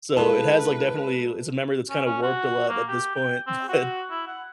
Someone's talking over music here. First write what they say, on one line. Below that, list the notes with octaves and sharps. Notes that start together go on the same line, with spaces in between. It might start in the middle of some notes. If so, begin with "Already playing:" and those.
So it has, like, definitely it's a memory that's kinda warped a lot at this point. But
G#3 E4 G#4 A4 B4 F5 A5
C#4
C#4
F#4
A#3
G4
G5
C4
F#4
E4
F#5